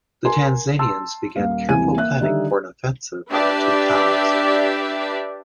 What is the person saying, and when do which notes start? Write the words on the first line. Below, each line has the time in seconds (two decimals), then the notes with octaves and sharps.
The Tanzanians began careful planning for an offensive on the two towns.
0.25 A#4 G#5 C6
0.79 A5 C6 E6
1.36 D#1 A#3 F5
1.69 D#1 G#1 C3 E3 G#5 D#7
1.97 A#3 E5 F#6
2.20 D3 D#3 G3 D#4 E5
3.32 D4 G4 B4 D5 E5